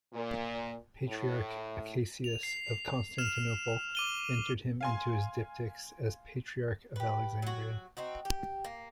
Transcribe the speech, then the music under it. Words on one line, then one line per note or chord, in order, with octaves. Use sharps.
Patriarch Acacius of Constantinople entered him into his diptychs as Patriarch of Alexandria.
A#2
A2
F7
C7
F6 E7 F7
D6 D#7 G7
F5 G#5 C6
G4 B4
F#3 F#4
C4 D#4 F#4
G4
A#3